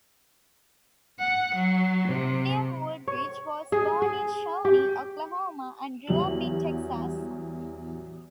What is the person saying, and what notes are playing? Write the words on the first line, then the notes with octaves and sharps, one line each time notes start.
William Wooldridge was born in Shawnee, Oklahoma, and grew up in Texas.
F#5
F#3
C3
C#5
G#4
G#4
G4
E2 F#3 G3 F#7